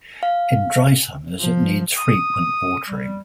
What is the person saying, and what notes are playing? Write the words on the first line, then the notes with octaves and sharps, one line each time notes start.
In dry summers it needs frequent watering.
F5
F3
D#6
G3